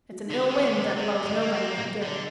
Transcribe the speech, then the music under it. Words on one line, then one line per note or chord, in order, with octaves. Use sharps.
"It's an ill wind that blows nobody any good."
F#4
D#4
D3
F#4
D#3 D#5
C3
D#5
C3 D5
D#5
D3 D#5
A#3
C4
A#3
D3